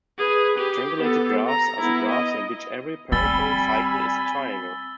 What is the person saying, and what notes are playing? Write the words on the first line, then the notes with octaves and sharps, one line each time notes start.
Strangulated graphs are the graphs in which every peripheral cycle is a triangle.
G#4 B4
G4
B3 A4
A#5
B3 E4
D#5
G3 C4 G#5 B5 E6 A6 G7